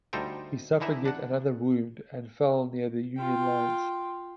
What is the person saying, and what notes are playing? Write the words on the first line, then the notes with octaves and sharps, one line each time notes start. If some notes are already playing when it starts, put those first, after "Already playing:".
He suffered yet another wound, and fell near the Union lines.
D2 G3 D#4 A4 C5 G5
D3 E3 D#4 E4 E5
D4 F#5
F4 G5